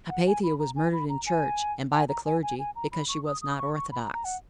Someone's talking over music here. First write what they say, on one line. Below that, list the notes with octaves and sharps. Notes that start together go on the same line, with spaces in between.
Hypatia was murdered in church, and by the clergy, because she was not orthodox.
F#5
G#5
B5
A#5
G#5
B5
A#5
G#5
G#5
A#5
G#5
G#5
G#5
A#5
B5
C#6
D#6
D#6
C#6
C#6
B5
A#5
A#5
F#5